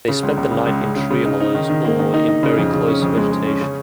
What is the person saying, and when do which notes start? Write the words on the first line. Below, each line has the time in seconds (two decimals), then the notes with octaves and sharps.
They spend the night in tree hollows or in very close vegetation.
0.08 C#3
0.23 C#2
0.37 C#2
0.52 C#3
0.66 C#2
0.81 C#3
0.96 C#3
1.11 C#3
1.26 D#4
1.40 D#4
1.55 D#3
1.69 D#3
1.85 A#3
1.99 D#3
2.14 D#4
2.28 D#4
2.43 C#3
2.58 F2
2.73 C#3
2.88 C#4
3.02 F2
3.17 G#3
3.31 G#3
3.46 C#4
3.61 C#3